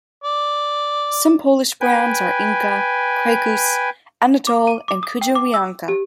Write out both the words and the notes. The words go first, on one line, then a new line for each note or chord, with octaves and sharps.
Some Polish brands are Inka, Krakus, Anatol and Kujawianka.
D5
B4 G5 G#5
D6
D#7
D6
D#6
G5
D6
E6
G4